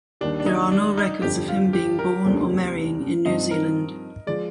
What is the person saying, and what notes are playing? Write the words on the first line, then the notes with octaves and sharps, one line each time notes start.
There are no records of him being born or marrying in New Zealand.
D#2 D#3 G3 D4
D4
D#4
D4
D#4
G1 F2 D3 G4
F4
G4
A#4
F1 D#2 D#3 G3 C4
G2 F3 C4 D#4 D#5
A#4
F3 G#3 D5